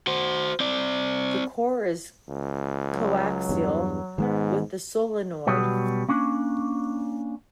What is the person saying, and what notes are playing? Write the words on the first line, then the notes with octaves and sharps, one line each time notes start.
The core is coaxial with the solenoid.
F#4 C5
C4 D5
C#2
F#3
E2 G2
G#2 D#3 G#3 B3
B2 F#3 G3 B3
A#3 C#4 D4